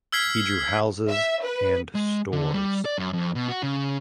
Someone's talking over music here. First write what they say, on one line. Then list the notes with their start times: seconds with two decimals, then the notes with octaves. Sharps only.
He drew houses and stores.
0.12 E6 F6 G#6 B6 C7
1.08 E5
1.44 B4
1.95 G#3
2.32 D3
2.53 G3
2.85 D5
2.98 F#2
3.13 F2
3.35 B2
3.48 F#4
3.63 C#3